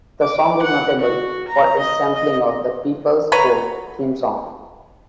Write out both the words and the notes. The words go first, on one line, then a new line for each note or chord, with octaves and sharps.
The song is notable for its sampling of "The People's Court" theme song.
D6
F#5
F#4
A#5
D#5
D#5
F#3 B4 C#5 A#5